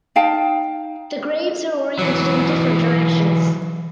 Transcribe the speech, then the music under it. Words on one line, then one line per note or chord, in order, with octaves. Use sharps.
The graves are oriented in different directions.
D#4 F5 G5 A5
E3 F#3